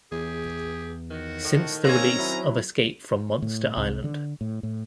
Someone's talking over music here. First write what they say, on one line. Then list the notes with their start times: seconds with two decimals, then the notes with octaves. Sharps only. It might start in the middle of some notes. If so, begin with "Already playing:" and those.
Since the release of Escape from Monsta Island!
0.12 E2 G4 G#4
1.10 D#3 F#4
1.44 A2
1.84 A#3 C4 C#4 G#5 A#5
2.19 F#3 E4
3.42 A2
3.77 C2
4.04 D3
4.41 A2
4.63 A2